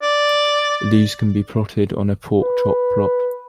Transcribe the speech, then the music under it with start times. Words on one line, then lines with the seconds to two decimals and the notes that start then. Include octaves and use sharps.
These can be plotted on a porkchop plot.
0.02 D5
2.42 B4